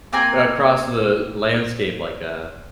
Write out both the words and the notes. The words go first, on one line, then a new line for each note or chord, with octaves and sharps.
across the landscape like a
A#3 C4 G#5 A#5